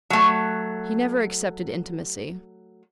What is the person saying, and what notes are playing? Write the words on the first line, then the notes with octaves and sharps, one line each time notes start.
He never accepted intimacy.
F#3 A3